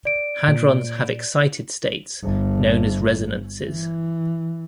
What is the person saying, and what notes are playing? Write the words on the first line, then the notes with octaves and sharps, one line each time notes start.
Hadrons have excited states known as resonances.
D5 D7
A#2
G1
E3